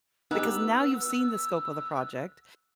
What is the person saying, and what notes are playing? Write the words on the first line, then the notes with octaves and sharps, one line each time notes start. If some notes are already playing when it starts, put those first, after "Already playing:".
Because now you've seen the scope of the project,
B3 D#4 G4 E6